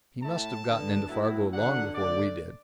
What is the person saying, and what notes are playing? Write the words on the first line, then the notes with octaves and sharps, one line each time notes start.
He must have gotten into Fargo long before we did.
A2 A3 E4 A5
D3 B3 D4
A2 F#3 B3 E4
D3 F#3 D4 F#5
D3 A3 D4 D5